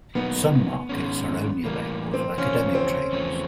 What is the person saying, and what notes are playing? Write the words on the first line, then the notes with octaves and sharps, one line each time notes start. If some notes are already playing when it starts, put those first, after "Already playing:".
Some markets are only available to academic traders.
B2 F#3 A#3 B3 D#4
G#2 D#3 G#3 C#4
A2 E3 G3 A#3
C4
E2 C#3 F3 A#3 C#4
C4
E2 C#3 F3 A3 C#4